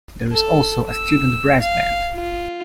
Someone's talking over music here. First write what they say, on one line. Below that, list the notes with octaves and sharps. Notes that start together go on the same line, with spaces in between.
There is also a student brass band.
A4
E6
F5
F4